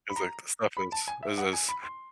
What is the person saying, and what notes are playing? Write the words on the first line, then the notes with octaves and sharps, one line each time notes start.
It's, like, the stuff is is is
B5
A#5
B5
A5
G#5
E5
F#5
G#5
B5
C6